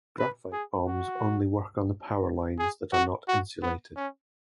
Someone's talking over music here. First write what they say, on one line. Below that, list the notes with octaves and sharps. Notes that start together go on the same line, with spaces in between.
Graphite bombs only work on power lines that are not insulated.
B4
G#4
F#4
G#4
F#4
F#4
B3
C#4